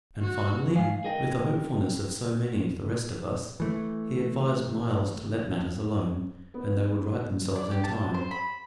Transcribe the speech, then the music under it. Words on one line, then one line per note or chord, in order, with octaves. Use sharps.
And, finally, with the hopefulness of so many of the rest of us, he advised Myles to let matters alone, and they would right themselves in time.
F#4
G#2 G#3 F5 G#5
G#4 A#4 D#5 G5
E3 A3
B3
D5
G4
A5
C5
B5